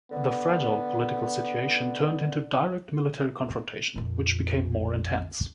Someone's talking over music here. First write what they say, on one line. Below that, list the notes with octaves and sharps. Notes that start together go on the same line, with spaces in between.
The fragile political situation turned into direct military confrontation, which became more intense.
D3 B3
A#1 F2